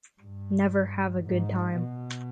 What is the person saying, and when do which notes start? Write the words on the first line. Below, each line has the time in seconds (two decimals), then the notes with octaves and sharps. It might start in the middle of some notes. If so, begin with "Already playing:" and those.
Never have a good time.
0.21 G2
1.26 G#2
1.78 B2